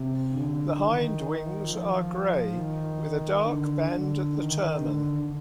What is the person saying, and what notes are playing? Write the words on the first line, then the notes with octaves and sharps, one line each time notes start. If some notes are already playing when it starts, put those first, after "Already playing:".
The hindwings are grey with a dark band at the termen.
Already playing: C3
D3
D#3
F3
D#3
D3
D3
D#3
D3